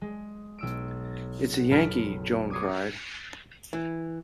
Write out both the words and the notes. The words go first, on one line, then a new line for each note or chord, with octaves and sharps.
It's a Yankee, Joan cried.
G#3
B1 E6 D7
F#4
F#1 B2 A4 B5 F6 D7
D6 D#6 G#6 C7 C#7 D#7
E3